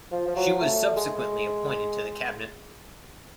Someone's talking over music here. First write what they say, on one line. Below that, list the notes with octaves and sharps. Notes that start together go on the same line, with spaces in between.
She was subsequently appointed to the Cabinet.
F3
F3
F#3
A3
G#3